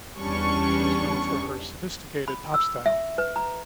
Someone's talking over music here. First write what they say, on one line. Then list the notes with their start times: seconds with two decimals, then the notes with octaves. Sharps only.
She is known for her sophisticated pop style.
0.18 E2 G3 C#4 D4 C#6
2.28 B5
2.54 E6
2.86 E5
3.18 B4
3.36 A#5